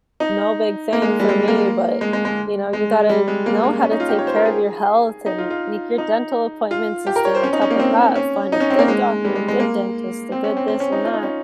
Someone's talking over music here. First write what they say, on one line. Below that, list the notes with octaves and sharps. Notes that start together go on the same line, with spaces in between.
no big thing for me, but, you know, you gotta know how to take care of your health and make your dental appointments and stay on top of that. Find a good doctor, a good dentist, a good this and that,
D#4
A#3
G#3
G3
G#3
A#3
G#3
G#3
G#3
G#3
G3
G#3
A#3
A#3
C#4
D#4
F4
G4
C#5
C5
A#4
G#4
D#4
F4
F4
D#4
F4
G4
A#4
C#5
C5
C#4
D#4
C#4
A#3
C4
C#4
D#4
C#4
C4
A#3
G#3
G3
G#3
G#3
A#3
C4
C#4
C4
C4
C#4
D#4
F4
D#4
C#4